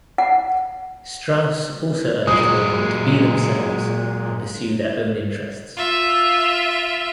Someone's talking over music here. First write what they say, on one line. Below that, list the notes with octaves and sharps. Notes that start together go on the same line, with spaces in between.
Strauss also urged women to be themselves and pursue their own interests.
F#5
A#2 F#3 G#3 D#6
F4 E5